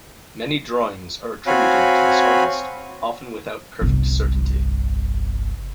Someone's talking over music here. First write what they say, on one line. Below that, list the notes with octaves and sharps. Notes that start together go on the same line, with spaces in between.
Many drawings are attributed to this artist, often without perfect certainty.
C4 F#4 C#5 F5 G#5 B5
G1 C2